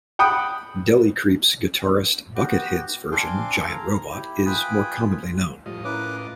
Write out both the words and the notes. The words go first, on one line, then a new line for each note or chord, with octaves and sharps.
Deli Creeps guitarist Buckethead's version "Giant Robot" is more commonly known.
F#5 G5 B5 D#6
B3 F#4 G4
C4 D4 F5 G#5 C6 D6
A#5
E4 G4
F4 B4 G5 G#5 B5 D#6
A2 F3 G3 F4 D#5
C#4 E4 A#4 B4 D6